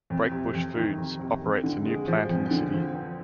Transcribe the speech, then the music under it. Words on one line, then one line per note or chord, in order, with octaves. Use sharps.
Brakebush Foods operates a new plant in the city.
F2
C3
F2
D#3
F2
C3
F2
D3
G#3
F3
F2
D3
F3
C4